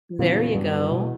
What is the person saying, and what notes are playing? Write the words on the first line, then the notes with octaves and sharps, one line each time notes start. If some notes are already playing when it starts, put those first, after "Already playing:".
There you go.
E2 A#2 C#3 F#3 B3
G2
B2